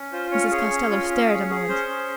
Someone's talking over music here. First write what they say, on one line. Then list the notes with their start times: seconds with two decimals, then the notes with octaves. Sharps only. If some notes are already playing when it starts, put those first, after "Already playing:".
Mrs. Costello stared a moment.
Already playing: C#4
0.12 F4 C5
0.31 C#4 C#5
0.51 G#4 C#5
0.71 C#4
0.90 F4
1.10 C#4
1.30 G#4
1.49 G#4
1.68 C#4 C5
1.88 C#4